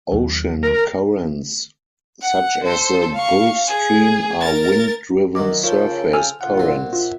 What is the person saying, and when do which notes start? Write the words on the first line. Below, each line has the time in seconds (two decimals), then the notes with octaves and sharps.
Ocean currents such as the Gulf Stream are wind-driven surface currents.
0.11 D#2 F#3
0.63 A#4
2.22 F#5
2.64 A4 C5
3.15 F5 C#6
3.68 G#4
4.41 A#4 A6
5.35 F#2 D#3 F#3 D6
5.64 C#3 F3 F4 A4 A#4 C#5 G5
6.13 G#5 E6 F6
6.41 A#2 D3 F4 F#5
6.58 A#1 C4
6.93 F4 E5